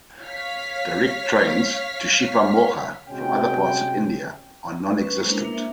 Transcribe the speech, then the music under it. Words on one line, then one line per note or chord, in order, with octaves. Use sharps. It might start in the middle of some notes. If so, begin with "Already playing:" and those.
Direct trains to Shivamogga from other parts of India are non-existent.
C#5 F5 F6 B6
C3 G#3 C#4 F#4 G5
C#4 B4
G#3 A#3 C5
D4 E4 A#4
A#3 D4 E5